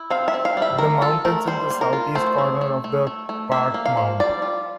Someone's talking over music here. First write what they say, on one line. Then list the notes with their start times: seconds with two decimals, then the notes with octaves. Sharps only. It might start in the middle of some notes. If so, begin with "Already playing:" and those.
The mountains in the southeast corner of the park-Mt.
Already playing: E4
0.10 C4 F5
0.28 E5
0.34 C4
0.45 F5
0.57 G3
0.62 E5
0.79 A3 A#4
1.01 F4 A4
1.25 A3 A#4
1.47 G3 C5
1.70 A#3
1.81 A#4
1.93 F4
2.15 A3 C5
2.38 A3
2.61 A3
2.84 A3
3.07 A3
3.29 A3
3.52 A#3 E5
3.74 A#3
3.86 F5
3.97 F3
4.20 G3 D5
4.42 F4